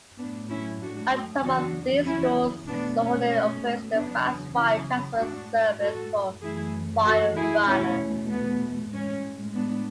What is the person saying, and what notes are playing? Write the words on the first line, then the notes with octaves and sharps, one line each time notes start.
On top of these stores, Sohonet operates a fast file transfer service called FileRunner.
A2 F#3 A3 B3 D4
C#4 E4
D4 F#4
E2 C#3 F#3 D4 F#4
C#4 E4
B2 A3 B3 D4
C#4
C#4
E2 C#3 F#3 B3 D4
C#4 E4
A2 G#3 D4 F#4
F#4 A4
F#2 E3 A3 E4 G#4
F#4 A4
E4 G#4
E2 B2 A3 C#4 E4
B3
A2 G#3 C#4
B3 D4